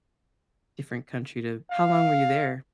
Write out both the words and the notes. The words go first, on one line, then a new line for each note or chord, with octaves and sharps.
different country to how long were you there
F5